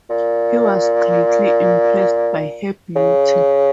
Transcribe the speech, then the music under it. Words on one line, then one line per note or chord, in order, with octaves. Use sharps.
He was greatly impressed by her beauty.
A#2
C#3